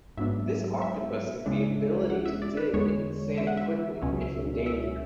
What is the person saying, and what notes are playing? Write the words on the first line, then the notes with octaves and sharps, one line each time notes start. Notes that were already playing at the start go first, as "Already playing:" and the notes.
This octopus has the ability to dig into the sand quickly if in danger.
G#2 F#3 B3 D4 E5
E5
C#2 C#3 G#3 D4
F#5
E5
D5
B4
E2 D3 G#3 C#5
E5
F#5
E5
C#2 B2 F#3 C#4
E5